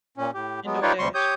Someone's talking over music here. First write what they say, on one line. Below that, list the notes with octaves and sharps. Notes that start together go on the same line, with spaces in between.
And DoorDash
A#2 C#4
A2 G4
F#3 G#3 B3
D#4 F4 G4 B4 C#5 D5
D2 C3 G3 C6 C#6
G4 C#5 D#6 G6